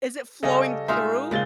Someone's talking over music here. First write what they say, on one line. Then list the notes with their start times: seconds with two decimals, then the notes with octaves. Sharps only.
is it flowing through?
0.43 C#3 G3 C#4 A4 D#5
0.88 A#2 G#3 D#4 E5 C6 F6
1.31 A#2 C#3 G#3 C4 A6 G7